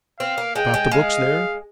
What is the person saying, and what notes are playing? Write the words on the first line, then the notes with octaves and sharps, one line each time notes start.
Got the books there?'
C4 F5
A#3
G#3 G5
G#3
G#3 F5